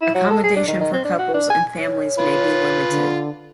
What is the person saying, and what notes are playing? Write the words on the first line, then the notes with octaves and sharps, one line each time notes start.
Accommodation for couples and families may be limited.
E4
F#3
A4
G#4
D4
D#3
D#3
C4
D4
F#4
D4
G#5
C#5
F4 B4
D3